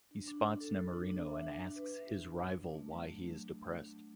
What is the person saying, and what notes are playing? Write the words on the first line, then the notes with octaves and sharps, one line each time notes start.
He spots Nemorino and asks his rival why he is depressed.
D4
D4
D4
A4
A4
D4
D4
E5
D4
D4
B4
E5
D4
D4
D4
D4
A3
F#3
D4
D4
A3
A3
D4
F#3